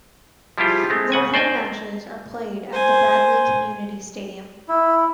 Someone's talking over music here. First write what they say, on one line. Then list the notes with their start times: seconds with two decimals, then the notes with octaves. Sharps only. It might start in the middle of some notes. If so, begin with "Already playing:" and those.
Their home matches are played at the Bradley Community Stadium.
0.58 F3 G3 E4 F4 G4 G#4
0.90 G#3 A3 C4
1.12 C#3 F#5 G#5
1.34 C5 D5 D#5 G5 G#5
2.73 C5 G#5
4.68 E4